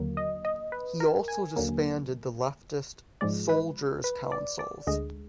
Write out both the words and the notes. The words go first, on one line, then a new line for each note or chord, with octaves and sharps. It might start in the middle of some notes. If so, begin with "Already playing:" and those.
He also disbanded the leftist "soldiers' councils".
Already playing: D#2 D3 F#3 A#3
D#5
D#5
B4
A#4
G#5
D#2 D3 F#3 A#3
G#2 F3 G#3 D5
B4
B4
D5
D5
D2 D3 G#3 D#5